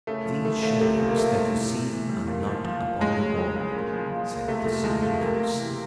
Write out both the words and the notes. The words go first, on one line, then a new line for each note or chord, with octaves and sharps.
"These shadows that you see are not upon the wall," said the Singing Mouse.
C#3 A3
F3
F3 A3
C#3 A3
C3 A3
F3
A#3
F3 A3
C3
A2
A2
E3
G3
A#2
F3
F3
A#2
C#3 G#3
F#3
F#3
C#3
A#2
F3
F3
A#2
C3 A3
F3 A3
F3 G#3
C3 A3
C3 A#3
C3
E3